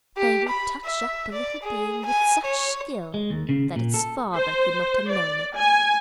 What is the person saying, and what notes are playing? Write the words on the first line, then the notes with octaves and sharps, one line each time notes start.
They would touch up a little being with such skill that its father could not have known it.
G4
B5
E5
D5
G#4
G#5
C#5
G#3
D#2
C#3
A#2
A4
C5
D5
G#5